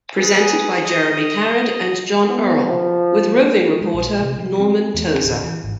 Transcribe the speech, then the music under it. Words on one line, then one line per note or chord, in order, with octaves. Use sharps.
Presented by Jeremy Carrad and John Earle with roving reporter Norman Tozer.
G#4 B4
D#5
B3
F3
G#3
A#1
C3
F3
C4
E2
D1
E3
G#1